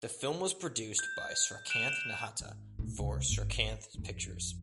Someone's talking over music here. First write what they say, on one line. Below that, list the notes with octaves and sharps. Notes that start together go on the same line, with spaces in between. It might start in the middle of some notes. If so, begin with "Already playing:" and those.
The film was produced by Srikanth Nahata for Srikanth Pictures.
G6
F#6 D7 E7 F7 G7
G#1
B1 A2
C#2 C3
G1 G#2
G#1 F2